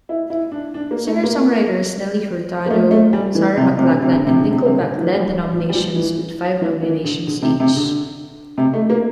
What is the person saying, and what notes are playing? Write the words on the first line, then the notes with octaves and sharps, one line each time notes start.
Singer-songwriters Nelly Furtado, Sarah McLachlan, and Nickelback led the nominations with five nominations each.
E4
E4
D4
D4
A#3
A3
A#3
A#3
A3
A3
G3
E3
C3
C3
D3
C3
D3
C3
D3
C3
C3
D3
E3
G3
F3
G3
F3
E3
E3
E3
D3
D3
C3
C3
D3
C3
A3
A#3